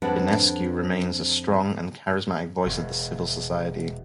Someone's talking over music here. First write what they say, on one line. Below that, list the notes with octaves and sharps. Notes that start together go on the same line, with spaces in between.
Dinescu remains a strong and charismatic voice of the civil society.
F2 G3 D4 B4 F#5
E1